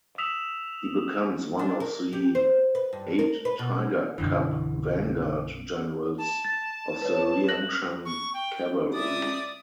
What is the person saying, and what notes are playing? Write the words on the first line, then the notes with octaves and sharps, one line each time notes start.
He becomes one of the Eight Tiger Cub Vanguard Generals of the Liangshan cavalry.
D#6 E6 B6 E7 F7
D4
A#4
G4
C5
B4
G2
A#4
B4
B2
B1 F#2 D3 E3
A5
A6
B4 C#5
F#6 A#6 F#7
C#6
G5
D5 E5 D#6